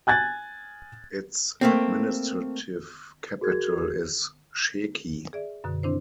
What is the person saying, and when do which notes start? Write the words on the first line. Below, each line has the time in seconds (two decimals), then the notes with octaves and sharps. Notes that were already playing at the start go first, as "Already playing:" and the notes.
Its administrative capital is Sheki.
0.07 G#5 F#6 G#6 A6
1.61 A3 A#3 C4
3.41 F#4 G#4 A#4 G#6
5.33 G#4 D5 E5
5.64 F#2 B2 D3
5.83 D#3 C4 D4 E4 C5